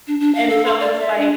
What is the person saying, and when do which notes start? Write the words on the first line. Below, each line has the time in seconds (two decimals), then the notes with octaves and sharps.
and so it's like,
0.08 D4
0.20 D4
0.35 F5
0.50 A4
0.65 C6
0.80 D5
0.99 E5
1.18 D4